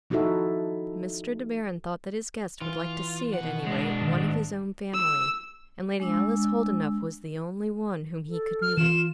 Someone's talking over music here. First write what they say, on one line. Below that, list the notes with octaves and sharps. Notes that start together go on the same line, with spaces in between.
Mr. De Baron thought that his guest would like to see, at any rate, one of his own family, and Lady Alice Holdenough was the only one whom he could meet.
F3 D#4 E4 F#4 A4 E5
E3 F4
B2 F#5
G#3 D4
A1 G#2 D#3 A5
E6
G#3 D4 E6
A4
F6
E3 F4 E7